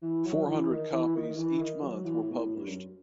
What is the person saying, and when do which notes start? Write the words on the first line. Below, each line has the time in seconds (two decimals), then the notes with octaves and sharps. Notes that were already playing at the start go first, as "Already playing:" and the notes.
Four hundred copies each month were published.
0.02 E3
0.25 F#3
0.47 E3
0.70 D#3
0.92 E3
1.15 D#3
1.30 D#3
1.37 E3
1.59 D#3
1.82 F#3
2.05 E3
2.21 A2
2.30 B2
2.37 A2
2.55 G2
2.66 F#2